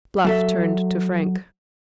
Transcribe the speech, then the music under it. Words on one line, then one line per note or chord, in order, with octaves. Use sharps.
Bluff turned to Frank.
F#3 A4 E5